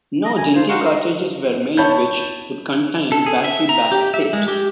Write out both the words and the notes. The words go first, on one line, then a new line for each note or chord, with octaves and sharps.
No Dendy cartridges were made which would contain battery-backed saves.
D#5
G#5
F4 C5
D#4 F#4 F5 C6 C#6
A#4
C#5 A5 B5 G6
A4
G#4
E5
A#5
G4
E5
G#3
G4